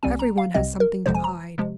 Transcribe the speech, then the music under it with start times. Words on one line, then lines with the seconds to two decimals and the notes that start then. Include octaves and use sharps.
Everyone has something to hide.
0.03 C2 C3 G3 C4 G#5
0.19 A#5
0.38 F5
0.54 C2 C3 G3 C4 D#5
0.80 A#4
1.06 G1 F2 C3 F3 G#3 C5
1.14 G#5
1.24 A#5
1.58 C3 F3 G#3